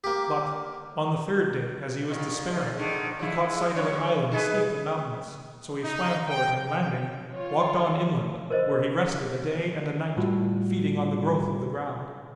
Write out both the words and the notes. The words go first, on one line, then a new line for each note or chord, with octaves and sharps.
But, on the third day as he was despairing he caught sight of an island steep and mountainous; so he swam for it and landing, walked on inland, where he rested a day and a Night, feeding on the growth of the ground.
A#3 G4
A#2 D#3
G#2 F3
D3 D#3
F3 G#3 E4
F#2 C#5
D#4 G#4 B4
D#4
G5
F4 C#5
A#4 C5 D#5
A2 G3 F4 F#4